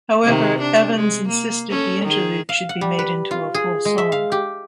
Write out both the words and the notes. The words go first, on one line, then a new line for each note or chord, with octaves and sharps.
However, Evans insisted the interlude should be made into a full song.
C3 D#3
D4
G#3
A#3
C#4 A4
D#3 G#4
F5
F#5
G3
B4
F4
G#4
G#3
E5
F5
G4